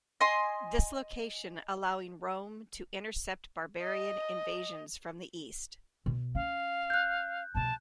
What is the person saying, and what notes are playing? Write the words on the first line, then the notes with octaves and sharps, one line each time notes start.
This location allowing Rome to intercept barbarian invasions from the East.
D#5 G#5 C6
D#5
B2
C#4 F5
F#6 G6
B2 F3 A5